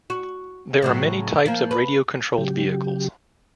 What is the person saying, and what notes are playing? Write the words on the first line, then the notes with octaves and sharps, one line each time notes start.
There are many types of radio controlled vehicles.
F#4
A2 C#3 F#3
F3 A#3
B4
C#3 F#3 G4